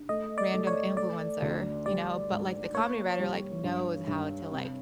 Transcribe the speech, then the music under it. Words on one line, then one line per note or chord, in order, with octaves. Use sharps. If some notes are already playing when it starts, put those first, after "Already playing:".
random influencer, you know, but like the comedy writer like, knows how to like,
Already playing: D4
A3 D#5
D5
A3
C#5
A3 D5
D2
G3 D5
G#2
A#3 C#5
G3
G2
G2
C3